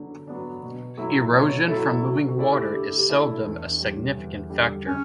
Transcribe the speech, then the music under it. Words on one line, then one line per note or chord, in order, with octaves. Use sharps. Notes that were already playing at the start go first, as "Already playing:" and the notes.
Erosion from moving water is seldom a significant factor.
Already playing: D3 F#3 B3 D4
F#3 B3 D4
B2
F#3 A3 E4
B2 C#5
F#3 A3 E4 A4
D3 F#4
F#4
A3 E4 A4 D5
G4
D3 G4
G4
A3 E4 A4 D5
D4
E2
D3 G3
E2
D3 G3
C#3 C#4